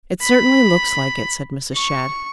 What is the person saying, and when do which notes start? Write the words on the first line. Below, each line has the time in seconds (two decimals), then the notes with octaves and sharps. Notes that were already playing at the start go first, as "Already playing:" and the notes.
"It certainly looks like it," said Mrs. Shadd.
0.22 B5
1.74 C#6